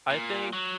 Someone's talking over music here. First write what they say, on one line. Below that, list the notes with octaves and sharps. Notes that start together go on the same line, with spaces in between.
I think
A#2
F#3